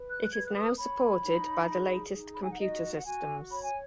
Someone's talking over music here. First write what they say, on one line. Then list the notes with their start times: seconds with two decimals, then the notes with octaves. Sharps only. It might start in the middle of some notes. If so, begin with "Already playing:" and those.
It is now supported by the latest computer systems.
Already playing: B4
0.11 F#6
0.24 F#6
0.33 B4 G#6
0.48 F#6
0.55 D#6
0.78 C#5 B5
1.23 D#4
1.69 G#4
2.14 D#4
2.34 B5
2.42 G#5
2.51 F#5
2.58 F#4 D#5
2.96 F#5
3.04 F#4 G#5
3.49 C#5 B5
3.63 G#5